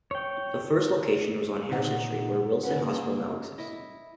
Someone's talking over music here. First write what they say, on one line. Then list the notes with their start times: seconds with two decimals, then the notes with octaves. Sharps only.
The first location was on Harrison Street where Wilson Hospital now exists.
0.11 C#5 G5
1.70 A#2 D3 D#4 F#5
2.63 D#3 C#4 A#4 B4 F#5
2.82 A#3 G#4
3.58 E4 D#5